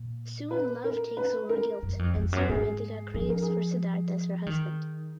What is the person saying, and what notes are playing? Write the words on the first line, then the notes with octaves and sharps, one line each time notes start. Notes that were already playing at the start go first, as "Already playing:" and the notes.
Soon love takes over guilt and soon Vedhika craves for Siddharth as her husband.
Already playing: A#2
B4
A#4
B4
A#4
F#2
F2
F2
F#2
G#2 G#4
F3 G#4
A#4
G#4
D#3